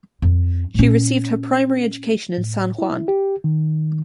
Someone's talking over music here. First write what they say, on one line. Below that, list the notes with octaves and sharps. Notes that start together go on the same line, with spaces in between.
She received her primary education in San Juan.
F2
A#2 C#4
A2
E4
G4
D#3